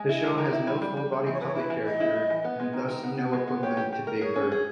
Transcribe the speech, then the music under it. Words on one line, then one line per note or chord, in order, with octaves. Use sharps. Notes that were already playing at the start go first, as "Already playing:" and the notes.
The show has no full-body puppet character and, thus, no equivalent to Big Bird.
Already playing: G#3
E4 D#5
A#4
D#3
E4
G3
G3
G3
G3
E3 D#5
C#5
E3 B4
C#5
E4 B4
E3
G3 D#5
E4
G3
E3
B3
G#3
D#3
D#3
B3
B3
G#3
B3
G4 C#5
G4
G4
A#4
G#4 C#5
C#4
G#4